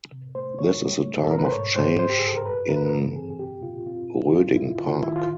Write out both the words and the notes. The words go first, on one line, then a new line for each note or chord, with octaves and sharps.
This is a time of change in Roeding Park.
C3
A3 C5
D#4 C#5
G3
A3
A4
B2 A#4
B4
C5
G#2 C#5
G#2 C5
G2 C5
G4
G#4
G2 A4
A#4
G2 B4
G2 A#4
B4
A#4
E3 A4
C4 G#4
G#4
B2 G4
B2 F4
C4 F4
E4
F2 F4
F2 E4
D#3 F4
D#3 E4
F4